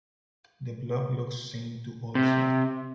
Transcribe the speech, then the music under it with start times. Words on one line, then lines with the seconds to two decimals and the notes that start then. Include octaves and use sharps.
The block looks same to Old Slab.
2.15 C3